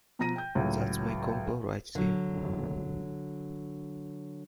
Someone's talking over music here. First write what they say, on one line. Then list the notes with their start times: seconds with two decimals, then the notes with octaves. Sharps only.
That's my combo right ther.
0.19 B2 F3 A#5 A#6 D#7
0.36 G5 G6
0.55 C#2 A2 F#3
1.95 D3 F#3